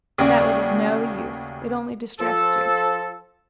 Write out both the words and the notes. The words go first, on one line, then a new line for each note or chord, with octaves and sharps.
That was of no use; it only distressed you.
D#2 C#3 A3 F#4 D5
F3 A4